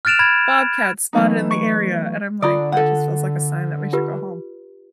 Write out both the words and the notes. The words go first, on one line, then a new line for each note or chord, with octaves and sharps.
"Bobcats spotted in the area," and I'm like, "That just feels like a sign that we should go home."
F6 F#6 A6 D7 E7 F7
B5 G#6 A6
E3 F#3 A3 B3 D#4
C#6
D3 F4 D5 A#5 C#6 D#6
A4 F#5
F4 G4 B4